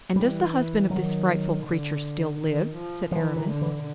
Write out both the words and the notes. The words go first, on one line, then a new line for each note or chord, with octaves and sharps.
"And does the husband of this frightful creature still live?" said Aramis.
E3 G3
D#3 F#3
D3
D#3
F3
E3 F3
D#3
D3
E3